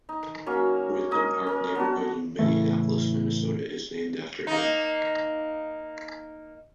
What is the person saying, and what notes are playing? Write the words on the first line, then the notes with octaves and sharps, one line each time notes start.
Windom Park Neighborhood in Minneapolis, Minnesota is named after him.
D#4
F#3 A#3 C#4
A#4 D#5 G#5
C#4 A#4
B3 D4 F#4
A2 C#3 E3 A3
A#3 D#4